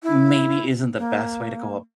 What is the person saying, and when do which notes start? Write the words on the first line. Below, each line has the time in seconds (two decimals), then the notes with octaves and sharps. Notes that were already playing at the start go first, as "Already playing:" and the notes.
maybe isn't the best way to go
0.03 E4
0.97 A#3